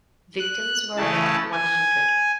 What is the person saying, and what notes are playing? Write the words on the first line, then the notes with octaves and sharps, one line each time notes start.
Victims were about one hundred.
F#6
C#3 E3 A3 C#4 A5
G#5